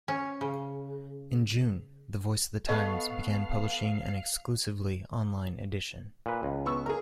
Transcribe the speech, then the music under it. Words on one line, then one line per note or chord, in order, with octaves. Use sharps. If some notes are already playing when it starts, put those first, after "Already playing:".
In June, the "Voice of the Times" began publishing an exclusively online edition.
C#4
C#3
B3 A4 D#5 F5 C#6
A#2 B4
C#2
B3 C#6 E6
G#4 A#4